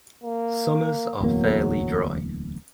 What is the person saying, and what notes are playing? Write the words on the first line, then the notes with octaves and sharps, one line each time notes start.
Summers are fairly dry.
A#3
D1 E2 F#3 A#3